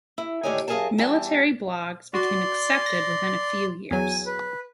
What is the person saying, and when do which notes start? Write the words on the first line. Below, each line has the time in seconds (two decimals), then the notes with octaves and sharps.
Military blogs became accepted within a few years.
0.18 E4
0.43 A2 D3 D#3 G4 C#5 G#5
0.68 F#2 F4 G#4 A#4 G#5 A5
0.98 E2 E3 G3 G5 A5
2.14 F#4 D5 C6
2.86 A#6
3.91 E2 F#3 G#5
4.26 B4